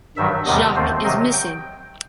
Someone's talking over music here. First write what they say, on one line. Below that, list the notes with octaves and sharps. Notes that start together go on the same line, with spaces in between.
Jacques is missing!
G2 D#3 F#3 E5
E2 C3 D#3 G3 B3 D#5
D#2 D#3 A3 C4 C5
C3 D#3 F#3 C4 D#5
G5